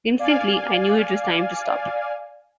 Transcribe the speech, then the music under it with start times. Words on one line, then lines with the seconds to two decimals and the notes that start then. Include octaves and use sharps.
Instantly I knew it was time to stop.
0.19 D5 F5 G#5